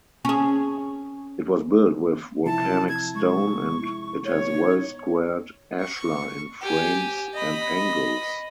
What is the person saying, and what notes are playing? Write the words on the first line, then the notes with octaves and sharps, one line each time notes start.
It was built with volcanic stone and it has well-squared ashlar in frames and angles.
C#4 G#4
C3 F3 E4 A5
G#6
G#3 C#6
E4
C#5
B3 D#4
C#6
G4 G#5
D#5 B5